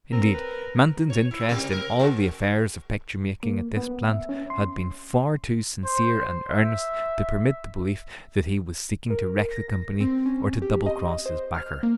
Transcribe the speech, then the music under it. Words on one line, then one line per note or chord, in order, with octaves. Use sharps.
Indeed, Manton's interest in all the affairs of picture making at this plant had been far too sincere and earnest to permit the belief that he was seeking to wreck the company or to double-cross his backer.
C4 A#4
B4
C#5
E4
C3 G3 A#3
A#4
G#3 D4 F#4
A#3
B3
E5
C#4
C6
C5
E5
A#4
A#6
C4
C#4
G4
D#5
C5
F6
A#3